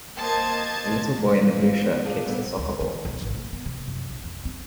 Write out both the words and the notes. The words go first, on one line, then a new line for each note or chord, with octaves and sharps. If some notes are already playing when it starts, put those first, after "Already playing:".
The little boy in the blue shirt kicks the soccer ball.
A#3 C5 D#5 A5 G#6
C3
A#2 E3 C4
C4 F4
F3 B3
C#4 D4 F4 G4 G#4
A#2 C#3 G3 A3 B3 C4
D2
D#3
B1
G#1
A#3
B3
C3
F#2
A#1
F2
C4